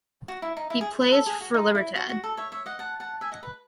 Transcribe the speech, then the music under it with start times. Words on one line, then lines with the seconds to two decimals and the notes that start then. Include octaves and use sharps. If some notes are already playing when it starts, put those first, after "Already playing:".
He plays for Libertad.
0.28 F#4
0.42 E4
0.57 D#4
0.70 E4
0.81 G#4
1.02 B4
1.12 A4
1.26 G#4
1.41 F#4
1.54 D#4
1.75 E4
1.96 F#4
2.09 F#4
2.24 A4
2.37 C#5 E5
2.52 C#5 E5
2.66 D#5 F#5
2.79 F#5 A5
3.00 F#5 A5
3.21 E5 G#5
3.32 D#5 F#5
3.43 B4